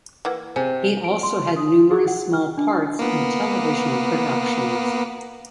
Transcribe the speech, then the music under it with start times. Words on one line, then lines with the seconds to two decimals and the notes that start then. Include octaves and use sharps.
He also had numerous small parts in television productions.
0.25 E3 A#3 F#5
0.56 C3 G#4 C5 G#5
1.04 D7
1.23 C6
1.56 D#6
1.91 G#4
2.08 F#5
2.33 F6
2.58 D4
2.99 A#3 B3